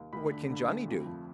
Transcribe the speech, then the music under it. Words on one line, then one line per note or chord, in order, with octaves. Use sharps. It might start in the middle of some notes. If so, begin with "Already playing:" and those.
"What can Johnny do?"
Already playing: D#2
D2 B5
D3
D3
D2
F2
F3